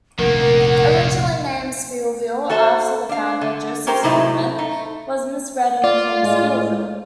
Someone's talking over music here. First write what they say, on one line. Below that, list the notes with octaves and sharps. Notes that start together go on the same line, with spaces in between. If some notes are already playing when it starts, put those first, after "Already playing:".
Originally named Spielville after the founder, Joseph Spielman, it was misread and became Spillville.
F1 A#1 D#3 A#3 A#4 F#5
F#4 A4 C5 E5
D4 F5
D3
C#4 G4 A#4 C5 G5
A2 C3 F#3 C4 D#4 E4
A3 D#4
F4 D5
A2 G#3